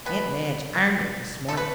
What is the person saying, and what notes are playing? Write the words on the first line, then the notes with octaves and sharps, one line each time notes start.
"Aunt Madge ironed it this morning."
B2 G3 B3 B4
D3 F#3 A3 A4
B4